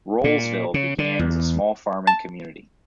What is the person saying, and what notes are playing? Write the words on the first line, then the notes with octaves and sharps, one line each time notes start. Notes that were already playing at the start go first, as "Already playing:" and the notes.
Rolesville began as a small farming community.
A#2
C#3
D3
E2
A5